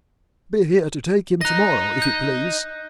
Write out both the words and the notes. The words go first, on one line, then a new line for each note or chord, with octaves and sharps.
Be here to take him to-morrow, if you please.
D#5 A#5 F#6 A#6
G6